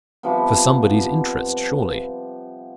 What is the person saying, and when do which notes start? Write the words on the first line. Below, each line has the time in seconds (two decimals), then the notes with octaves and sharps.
For somebody's interest, surely.
0.23 C3 F3 G3 B3